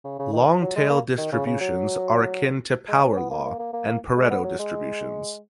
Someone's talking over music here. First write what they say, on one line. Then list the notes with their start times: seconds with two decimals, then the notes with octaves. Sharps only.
Long tail distributions are akin to power law and Pareto distributions.
0.05 C#3
0.19 C#3
0.33 D#3
0.62 F#3
0.76 G#3
0.90 A#3
1.18 D#3
1.32 C#3
1.47 C#3
1.61 F#3
2.88 G#3
3.02 C#4
3.17 B3
3.31 A#3
3.46 A#3
3.59 A#3
3.73 A#3
3.88 A#3
4.16 G#3
4.31 B3
4.44 F#3
4.59 G#3